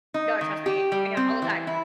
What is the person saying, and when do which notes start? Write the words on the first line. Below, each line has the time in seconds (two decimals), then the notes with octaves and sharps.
No, trust me, I get it all the time,
0.14 D#4
0.41 D#3
0.66 G4
0.92 G3
1.17 C4
1.42 E3
1.67 E4